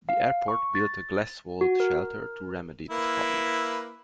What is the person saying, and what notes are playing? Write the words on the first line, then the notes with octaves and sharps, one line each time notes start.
The airport built a glass-walled shelter to remedy this problem.
F5
C#6
A6
F#4
A#4
A#3 E4 B4